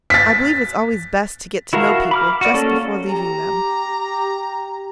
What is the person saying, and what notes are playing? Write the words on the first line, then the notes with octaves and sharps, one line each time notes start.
I believe it's always best to get to know people just before leaving them.
A6 B6
E4 F#4 A#4 F5 A5
B5 D6 F6
F#4 D5
A#3 C#4 A4
G4 A#5